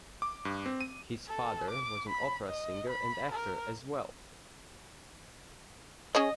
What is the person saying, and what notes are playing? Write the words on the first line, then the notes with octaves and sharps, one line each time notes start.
His father was an opera singer and actor as well.
D6
G2
C4
D#7
A4
D6
B5
D#5
B5
A#4
C#4 G#4 C#5 D#5